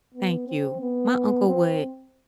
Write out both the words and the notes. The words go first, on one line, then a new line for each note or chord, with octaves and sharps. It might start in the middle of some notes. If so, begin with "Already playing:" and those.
Thank you. My uncle would
B3
C4
B3
C4